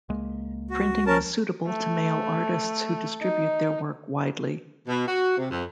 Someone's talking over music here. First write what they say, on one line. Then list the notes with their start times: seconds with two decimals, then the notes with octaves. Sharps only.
Printing is suited to mail artists who distribute their work widely.
0.09 C#2 G#3 A#3
0.70 F#4
1.06 C#4 A#4 A5
1.66 A3
3.21 D#4
4.87 B2
5.07 F#4
5.37 C3
5.50 F2